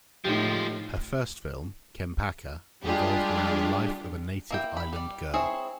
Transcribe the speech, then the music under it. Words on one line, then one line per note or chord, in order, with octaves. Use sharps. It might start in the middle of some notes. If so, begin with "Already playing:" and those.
Her first film, "Cempaka", revolved around the life of a native island girl.
A2 F3 G#3 D#4 G4
G3 G#3 D4 F4 G4 G#4
A#3 E4 G5
B5
G3 D5
C4 E4 G#4 C#5